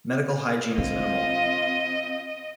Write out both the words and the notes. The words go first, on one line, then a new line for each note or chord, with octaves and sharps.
Medical hygiene is minimal.
D3 C4 D4 F4 D#5 F5